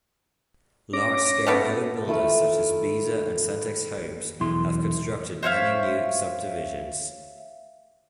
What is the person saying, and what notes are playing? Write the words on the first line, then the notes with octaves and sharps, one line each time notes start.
Large-scale home builders such as Beazer and Centex Homes have constructed many new subdivisions.
C#4 D6 A#6
C#3 A3 B3
D#3 A3 E4 F4 A4
B1 E2 E4 C6
C5 C#5 E5 F5